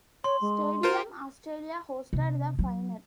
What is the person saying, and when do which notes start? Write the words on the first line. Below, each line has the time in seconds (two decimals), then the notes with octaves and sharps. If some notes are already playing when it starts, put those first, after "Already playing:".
Stadium Australia hosted the Final.
0.24 C#5 C6
0.41 G#3
0.83 F4 A#4 C5
2.13 C3
2.59 F#3